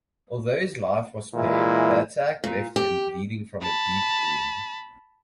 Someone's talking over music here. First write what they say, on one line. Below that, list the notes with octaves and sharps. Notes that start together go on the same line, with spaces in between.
Although his life was spared, the attack left him bleeding from a deep wound.
A#2 E3 G#3 E4
A#2
G4
A5 B5